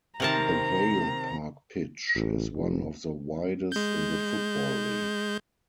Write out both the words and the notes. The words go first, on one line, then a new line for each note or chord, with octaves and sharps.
The Vale Park pitch is one of the widest in the Football League.
C3 D#3 C4 A#4 A5 A#5 F#7
A1
F1
G#3 G6